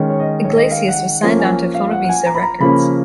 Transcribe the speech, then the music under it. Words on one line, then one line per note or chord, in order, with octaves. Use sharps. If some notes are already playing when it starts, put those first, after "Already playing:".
Iglesias was signed on to Fonovisa Records.
Already playing: D#3 G#3 C#4
C#5
D#5
C#5
D#5
F5
F#5
F3 A#3 C#4
G#5
F5
F#5
F#5
G#5
A#5
B5
A#5
C#3 F3 A#3 C#4 B5